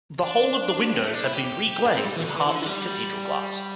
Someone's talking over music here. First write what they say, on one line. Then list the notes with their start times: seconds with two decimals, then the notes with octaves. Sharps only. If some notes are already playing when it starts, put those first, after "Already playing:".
The whole of the windows have been reglazed with Hartley's cathedral glass.
0.23 D4
0.94 C4
1.04 A3
1.13 D4
1.24 E4
1.33 G4
1.44 G4
1.84 D4
1.94 C4
2.05 G3
2.15 E3
2.25 D3
2.35 E3
2.46 E3
2.55 D3
2.66 G3